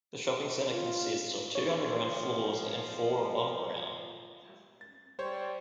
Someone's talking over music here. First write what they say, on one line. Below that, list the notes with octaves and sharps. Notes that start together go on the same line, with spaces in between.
The shopping center consists of two underground floors and four above ground.
F4
F3 C#5
A6
G3 C5 C#5